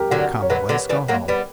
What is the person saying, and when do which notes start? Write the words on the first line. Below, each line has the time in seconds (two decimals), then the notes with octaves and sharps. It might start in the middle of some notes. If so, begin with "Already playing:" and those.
But come, let us go home!
Already playing: G4 A#4
0.11 D3 F#3 F#4
0.42 C#5
0.50 D3 F#3 B4
0.69 D3 F#3
0.89 E3 G3
1.08 F#3 A#3
1.28 G3 B3